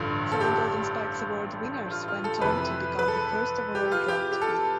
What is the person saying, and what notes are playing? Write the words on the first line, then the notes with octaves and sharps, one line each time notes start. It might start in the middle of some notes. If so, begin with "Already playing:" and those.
Seven Golden Spikes Award winners went on to become the first overall draft pick.
Already playing: A1 G2 D3 F4
A4
G4
F4
F4
A4
F2 C3 E3 B4
B4
A4
G4
F4
G4
G4
A4